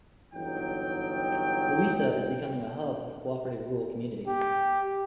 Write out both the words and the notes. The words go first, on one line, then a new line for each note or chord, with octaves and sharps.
Louisa is becoming a hub of cooperative rural communities.
G1 E3 F#3 D#4 G5
G4